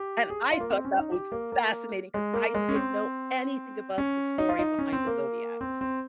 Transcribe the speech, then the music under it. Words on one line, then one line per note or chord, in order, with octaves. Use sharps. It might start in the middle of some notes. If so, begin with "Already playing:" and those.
And I thought that was fascinating 'cause I didn't know anything about the story behind the zodiacs,
Already playing: G4
G#4
F4
A#3
C4
C#4
D#4
G4
A#3
A#3
G#3
A#3
G#3
C#4
C4
C#4
D#4
F4
D#4
C#4
C4
A#3
C4
C4